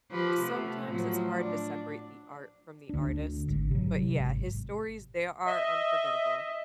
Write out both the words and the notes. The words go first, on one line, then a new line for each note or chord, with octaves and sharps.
Sometimes it's hard to separate the art from the artist, but yeah, his stories, they are unforgettable.
F3 G4 B4
C3 A3 B3
A2 F3 F#3
D4
D2 D4
G#1
C3 F#3
G#1
D#5 E5